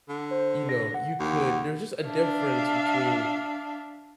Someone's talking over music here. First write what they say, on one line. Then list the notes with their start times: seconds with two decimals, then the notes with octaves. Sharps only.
you know, you could there's just a difference between
0.09 D3
0.31 C5
0.69 A#6
0.94 F#5
1.20 D#2
2.04 D4 E5 F5